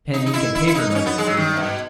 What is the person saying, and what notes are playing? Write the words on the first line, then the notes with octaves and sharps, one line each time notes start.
"Pen, ink, and paper," muttered Fernand.
D#4
D#4
E4
E4
E4
D#4
D#4
C#4
B3
G#3
F#3
D#3
B2